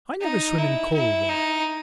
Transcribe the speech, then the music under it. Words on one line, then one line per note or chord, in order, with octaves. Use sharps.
"I never swim in cold water."
D#4
E4
E4
D#4